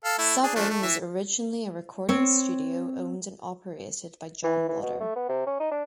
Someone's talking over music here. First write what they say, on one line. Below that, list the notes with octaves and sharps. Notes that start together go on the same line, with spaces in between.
Southern was originally a recording studio owned and operated by John Loder.
A4 F5
A3 E4
D4 G#4
F3 A3 D4
A3
E3 E5
C4 C#5
E3
E3
B2
A3
B3
C3
C#4
D#4
D4